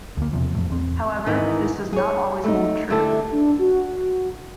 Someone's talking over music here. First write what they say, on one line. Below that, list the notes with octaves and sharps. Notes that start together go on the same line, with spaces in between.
However, this does not always hold true.
D2 A#3
E1 E2 C3 F3
F2 A2
E2 C4
G#2 D#3 E3 B3 D#4
G#4 C#5
A3 D#4
D3 A3 E4 G4 A4
D4
F#4